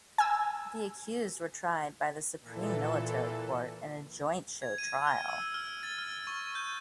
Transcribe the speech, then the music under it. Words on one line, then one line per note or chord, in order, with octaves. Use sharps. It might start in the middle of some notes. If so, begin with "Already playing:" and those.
The accused were tried by the Supreme Military Court in a joint show trial.
G#5 E6
A#2 E3 A4
G#6
D#7
F6
E6
F6
A6
F6
C#6
G6